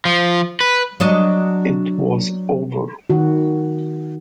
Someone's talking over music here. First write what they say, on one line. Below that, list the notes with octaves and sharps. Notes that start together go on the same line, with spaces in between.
It was over.
F3
B4
F#3 D4 D#5
D#3 F#4